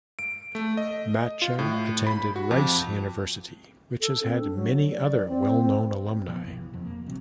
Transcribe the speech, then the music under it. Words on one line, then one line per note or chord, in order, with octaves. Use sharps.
Macha attended Rice University, which has had many other well-known alumni.
D7
A3
D#5
F4
A2
B5
F#4
F2
A4
C4
D4
F#3
D5
C4
A#2 F3 G#3 B3
F#1 B1 E3
E1 F2
A#3
A#1 C3 F3 F#3